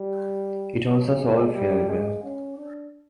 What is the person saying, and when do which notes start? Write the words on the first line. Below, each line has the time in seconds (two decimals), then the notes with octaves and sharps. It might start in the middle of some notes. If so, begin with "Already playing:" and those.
It also sold fairly well.
Already playing: G3
0.86 F#3
1.20 G#3
1.55 G3
1.89 G#3
2.23 C#4
2.57 D4